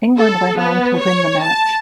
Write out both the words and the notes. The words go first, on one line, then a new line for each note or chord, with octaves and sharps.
England went on to win the match.
A4
B3
C#5
A5